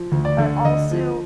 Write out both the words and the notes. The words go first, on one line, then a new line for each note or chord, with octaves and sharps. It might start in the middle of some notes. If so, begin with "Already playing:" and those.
but also
Already playing: F3
D2
D5
D3
D2 D#5
F3